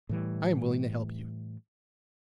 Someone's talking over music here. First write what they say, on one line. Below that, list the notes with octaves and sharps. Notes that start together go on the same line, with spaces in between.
I am willing to help you.
A2 E3 G3